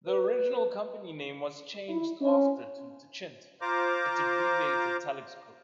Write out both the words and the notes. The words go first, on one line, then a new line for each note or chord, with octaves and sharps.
The original company name was changed after to "Techint", its abbreviated telex code.
B4
E4
C#4
F4 C5 A#5 D6